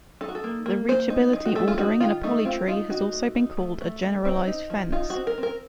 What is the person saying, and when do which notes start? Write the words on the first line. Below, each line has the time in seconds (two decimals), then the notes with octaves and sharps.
The reachability ordering in a polytree has also been called a "generalized fence".
0.21 D#4 A4
0.28 F#4
0.35 A4
0.44 A#3
0.66 A#3
0.88 A#3 C5
1.10 D#4
1.33 D#4
1.45 F#4
1.56 A3 A4
1.68 F4
1.78 D#4 F#4
2.00 D#3 F4
2.23 A3 D#4
2.45 C4 F4
2.67 D#4 F4
2.90 D#4 F#4
3.13 A3
3.35 D#4
3.57 A3
3.81 A3
4.03 A3
4.25 C4 D#4
4.47 D#4
4.70 F3
4.92 D#4 F4
5.10 F#4
5.15 C4
5.27 A#4
5.38 C4
5.43 A#4